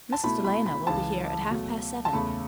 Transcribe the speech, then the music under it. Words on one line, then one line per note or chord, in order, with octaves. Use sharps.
Mrs. Delano will be here at half past seven.
A5
B2 A3 E4 B5
B5
B5
C#2 C#3 E3 A5
B2 F#3 A3
A5
E2 C#3 A3 B5